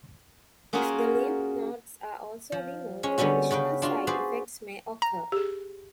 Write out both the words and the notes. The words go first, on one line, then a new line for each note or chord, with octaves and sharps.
If the lymph nodes are also removed, additional side effects may occur.
A#3 C#4 F4 F#4 G#4 A#4
F3
G#3 C#4
D3 G3 B3 C#4 F#4
C#3 F#4 B4 G5
D4 F4 F#4
F#4 G#4 B4 C5 D5
A#5
G4 G#4